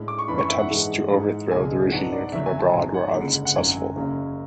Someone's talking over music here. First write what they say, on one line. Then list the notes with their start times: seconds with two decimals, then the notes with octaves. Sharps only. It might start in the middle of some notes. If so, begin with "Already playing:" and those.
Attempts to overthrow the regime from abroad were unsuccessful.
Already playing: A2 G#3 D4
0.08 D6
0.19 C#6
0.28 F#2 E3 B3 D4 B5
0.39 C#6
0.48 E5
0.59 F#5
0.69 G#2 E3 G#3 D4
1.11 G#2 E3 G#3
1.51 C#2 B2 G#3 D4 G#5
1.92 G#2 F#3 B3 D4 F#5
2.12 D5
2.33 F#1 E2 D3 F#3 E5
2.46 G#5
2.59 A5
2.73 A1 G#2 F#3 G#5
2.94 F#5
3.14 F#1 F#2 D3 G#3
3.45 F#5
3.55 G#1 F#2 D3 F#3 G#5
3.96 F#1 F#2 C#3 F#3